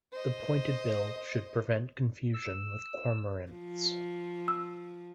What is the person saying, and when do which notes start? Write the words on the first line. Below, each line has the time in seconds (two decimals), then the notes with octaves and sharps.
The pointed bill should prevent confusion with cormorants.
0.12 C5 D#5
2.34 E6
3.52 F3
4.48 E6